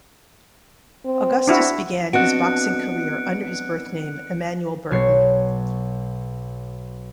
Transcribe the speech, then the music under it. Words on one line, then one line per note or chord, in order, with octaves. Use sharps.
Augustus began his boxing career under his birth name Emanuel Burton.
C4
D4 E4 F#4
B3 C4 D4 F#4 D#5 F#6 C#7 D7
B1 C#5 C7